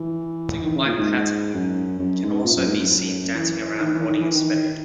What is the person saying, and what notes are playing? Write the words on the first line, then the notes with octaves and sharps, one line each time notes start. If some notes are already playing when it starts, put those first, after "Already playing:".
Singer Mike Patton can also be seen dancing around holding a spade.
Already playing: E3
D#3
C#3
A#2
G#2
F#2
F#2
G#2
A#2
F#2
G#2
F#2
F#2
E3
D#3
E3
D#3
E3
D#3